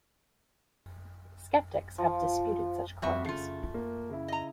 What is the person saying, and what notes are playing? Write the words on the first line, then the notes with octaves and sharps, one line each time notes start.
Skeptics have disputed such claims.
F3
F2 G3 F#4 E5
C#3 A3 F4
A#3
C#3 E4
D#5 A#5